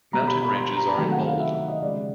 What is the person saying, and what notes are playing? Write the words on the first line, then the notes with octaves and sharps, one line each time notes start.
Mountain ranges are in bold.
B2 G3 A#5
B5
B5
C6
B5
A#5
A5
C3 D#3 F#3 A3 G5
F#5
F5
E5
E5
D#5
C#3 F3 G#3 D5